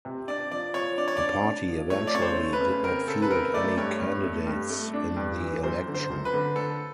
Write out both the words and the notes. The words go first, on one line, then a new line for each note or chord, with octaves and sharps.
The party eventually did not field any candidates in the election.
C3
D4 D5
F3 D5
F3 C#5
D4 D5
C#5
D4 D5
D4
F3
A3 C#5
D5
C#3 C#5
C5
A3
B4
C#3
C4 A#4
C#3 A4
B4
C4 A#4
A3 D5
G2 C#5
G2
A3
G2
A3
D4
G2
E3
F#2 C5
D3
C5
F#2
B4
D3
D3 A4